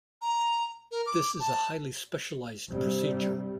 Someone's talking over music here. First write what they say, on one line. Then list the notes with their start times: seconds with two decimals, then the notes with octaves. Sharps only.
This is a highly specialized procedure.
0.21 A#5
0.91 A#4
1.06 D6
1.40 A5
2.69 G2 C3 G3